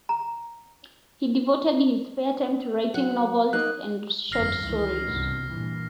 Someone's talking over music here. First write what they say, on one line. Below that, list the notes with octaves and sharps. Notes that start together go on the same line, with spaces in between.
He devoted his spare time to writing novels and short stories.
A#5
F#3 F#5
A#3 D#4 F#6
G1 F2 F6 A#6 C7
C#2 D#3 E3
C2 G2 B2
G2 A#2 E3